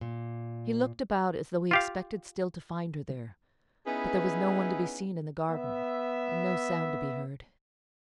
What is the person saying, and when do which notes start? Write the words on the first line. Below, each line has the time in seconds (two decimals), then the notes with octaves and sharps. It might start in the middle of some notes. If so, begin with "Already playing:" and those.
He looked about as though he expected still to find her there; but there was no one to be seen in the garden, and no sound to be heard.
0.01 A#2
1.71 F4 G4 F5
3.86 B3 C#4 D#4 E4 G#4 B4
5.50 B3 E5